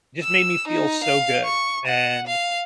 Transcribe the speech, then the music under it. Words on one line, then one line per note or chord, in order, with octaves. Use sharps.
just made me feel so good. And
E6
D#4
F5
C#6
F#5
F5